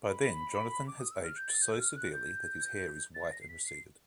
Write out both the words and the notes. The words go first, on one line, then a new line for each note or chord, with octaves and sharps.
By then, Jonathan has aged so severely that his hair is white and receded.
B5
D6
D#6
E6
F6
G6
A6
G6
E6
F6
F#6
G6
A6
A#6
C7
B6
C7